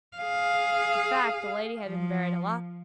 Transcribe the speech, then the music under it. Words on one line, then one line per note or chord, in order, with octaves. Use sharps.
In fact, the lady had been buried alive.
G#4 F5
F3